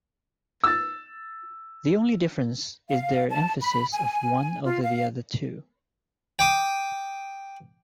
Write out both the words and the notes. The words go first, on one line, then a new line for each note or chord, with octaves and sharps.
The only difference is their emphasis of one over the other two.
E6 A6
F5
A5
B5
G#5
F4
F5
G5 D6 D#6